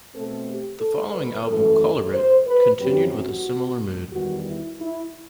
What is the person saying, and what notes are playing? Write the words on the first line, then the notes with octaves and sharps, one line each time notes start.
The following album, "Color Rit", continued with a similar mood.
B2 A3 C4 A4
G4
A4
B4
F#2 E3 A3 A4
C5
B4
F#2 F#3 C4 G4
F#4
E2 D#3 G3 B3 F#4
E4
E4